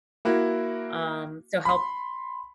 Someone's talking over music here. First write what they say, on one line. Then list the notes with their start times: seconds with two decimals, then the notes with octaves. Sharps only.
Um, so help
0.25 A#3 E4 F#4
1.65 B5 C6